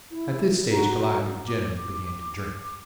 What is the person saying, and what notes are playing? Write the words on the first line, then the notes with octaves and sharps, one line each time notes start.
At this stage Calliope generally began to drink.
E4
F#4 A#5
D6